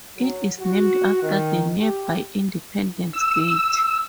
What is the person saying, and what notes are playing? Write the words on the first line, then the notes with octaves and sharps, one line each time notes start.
It is named after the nearby Independence Gate.
F#3
F#4
D#3
G4
E6